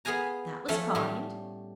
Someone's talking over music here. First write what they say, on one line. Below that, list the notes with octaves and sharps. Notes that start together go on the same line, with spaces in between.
"That was kind."
B3 G#4 F5 G#5 A#5
F3 A3 C#4 A4
A2 G3